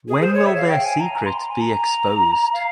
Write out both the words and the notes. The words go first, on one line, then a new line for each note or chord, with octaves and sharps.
When will their secret be exposed?
G#4
C5
C#5
E5
F5
G5
G#5
A#5
A#5
C6
A#5
G#5
A#5
F5